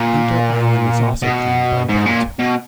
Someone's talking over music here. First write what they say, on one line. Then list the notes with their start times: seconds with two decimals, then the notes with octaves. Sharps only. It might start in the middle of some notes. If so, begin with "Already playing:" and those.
Hunter Island is also claimed by Vanuatu.
Already playing: A#2
1.22 B2
1.89 G#2
2.06 A#2
2.39 B2